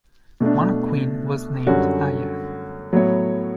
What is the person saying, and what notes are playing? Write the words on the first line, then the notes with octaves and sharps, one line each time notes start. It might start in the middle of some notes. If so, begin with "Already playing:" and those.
One queen was named Iah.
B2 A3 D4
F#2 D3 G3 C#4 F#4
A2 F#3 B3 F#4 C#5